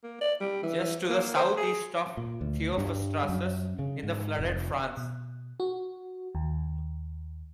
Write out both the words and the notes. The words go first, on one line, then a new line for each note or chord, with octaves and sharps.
Just to the southeast of Theophrastus is the flooded Franz.
A#3
D5
G3
E3
A#3
C5
G#4
A#2
D2
G2
F#2
C#3
G#2
F1
B2
F#4
D#2